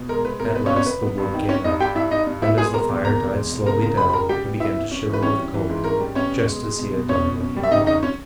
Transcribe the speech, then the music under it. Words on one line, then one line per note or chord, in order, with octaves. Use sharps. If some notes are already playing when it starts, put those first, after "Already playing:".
At last the wood gave out, and as the fire died slowly down he began to shiver with cold just as he had done when he arrived.
Already playing: B2
G#3 A#4
G#3 B4
B2 A#4
B2 B4
C#4 C#5
B3
C#4 C#5
B3 B4
B3
G2
D#3
B3 C#4 C#5
G2 D#4 D#5
G2 G4 G5
G2 E4 E5
G2 D#4 D#5
G2
B3 E4 E5
G#3 G#4 G#5
B2 A#4 A#5
E2
B2 A#4 A#5
E2
G#3
B2
C#3 A#4 A#5
C#3 A#4 A#5
G3 B4 B5
B5
C#3 A#4 A#5
G3 G4 G5
B3
B3 E4 E5
B3
C#4
E3
B4
G3 C#4 C#5
C#4
E3
G#2
C#4 A#4
G3
B3 C#4 C#5
B2
G#3
G#3
B2
B2
B2 C#4 C#5
B2
C#4
G3
E5
C#3 D#4 D#5
C#4 D#4 D#5
C#4 C#5